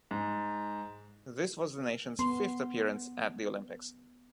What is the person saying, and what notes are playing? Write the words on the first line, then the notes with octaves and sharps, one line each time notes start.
This was the nation's fifth appearance at the Olympics.
G#2
B3 C6